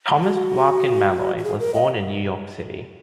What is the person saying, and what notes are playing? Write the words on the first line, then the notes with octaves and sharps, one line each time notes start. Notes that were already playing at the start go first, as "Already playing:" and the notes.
Thomas Larkin Malloy was born in New York City.
F#4
F#4
G#4
A#4
D#5